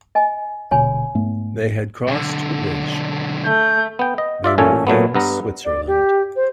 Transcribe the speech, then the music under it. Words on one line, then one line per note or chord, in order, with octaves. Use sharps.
They had crossed the bridge; they were in Switzerland.
D#5 G#5
D#1 B2 D3 C#5 G#5 B5
G#2 A3 B3
B1 D3
A3 G6
B3 G5
D#5
F4 D5 E5
A1 A#2 A3 C#4 A4 G#5
A#2 F#3 A3 B3
G2 B3 A#5
D5
G4
C5